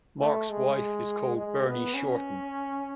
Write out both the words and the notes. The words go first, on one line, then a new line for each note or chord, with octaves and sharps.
Mark’s wife is called Bernie Shorten.
A3
G#3
G#3
B3
C#4